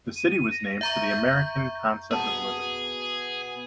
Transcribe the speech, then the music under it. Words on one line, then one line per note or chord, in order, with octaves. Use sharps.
The city was named for the American concept of liberty.
D#7
A#6
E5 A#5 C#6 G6
B2 B3 G#4 A5